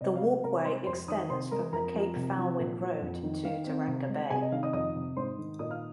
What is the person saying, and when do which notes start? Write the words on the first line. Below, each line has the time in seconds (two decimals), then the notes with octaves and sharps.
The walkway extends from the Cape Foulwind Road to Tauranga Bay.
0.01 C3 D#5
0.16 F5
0.22 G#3
0.44 C3 A#4 A#5
0.65 G#3 C5 C6
0.87 F2 C5 C6
1.08 D#3 D#5 D#6
1.30 C3 C5 C6
1.51 G#3 A#4 A#5
1.73 F2 A#4 A#5
1.94 F3
2.16 C3
2.37 F3
2.59 A#2
2.80 F3
3.02 F2
3.23 D#3
3.45 D#3 F5
3.66 C4
3.87 C3
4.09 G#3
4.30 C3 G#4 G#5
4.41 D#5
4.52 D#3 F5
4.63 D#5 D#6
4.73 F2 D#5 D#6
4.95 C3
5.16 G#2 C5 C6
5.38 D#3
5.59 A#2 D#5 D#6
5.70 F5 F6